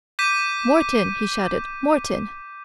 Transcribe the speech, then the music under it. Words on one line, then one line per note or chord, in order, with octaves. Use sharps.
"Morton!" he shouted; "Morton!"
D6 G6 B6 D#7